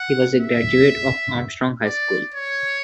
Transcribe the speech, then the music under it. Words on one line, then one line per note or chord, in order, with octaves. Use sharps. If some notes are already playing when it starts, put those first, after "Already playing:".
He was a graduate of Armstrong High School.
Already playing: F#5
E5
D5
C#5